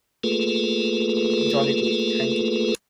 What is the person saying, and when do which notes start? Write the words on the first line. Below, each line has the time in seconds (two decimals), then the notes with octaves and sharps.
Jolly good, thank you.
0.24 A3 A#3 F4 G#4 A4 B4